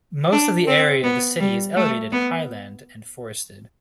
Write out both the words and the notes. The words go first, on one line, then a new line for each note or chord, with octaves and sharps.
Most of the area of the city is elevated highland and forested.
D4
C4
B3
G3
A3
B3